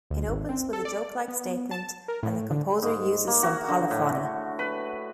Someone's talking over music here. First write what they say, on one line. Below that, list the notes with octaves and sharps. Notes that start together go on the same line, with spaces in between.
It opens with a joke-like statement, and the composer uses some polyphony.
D2
G#1
C4
A4
D5
B3
A5
A#4
A2
D3
G#2
A#3
F#4
D3
A2
B4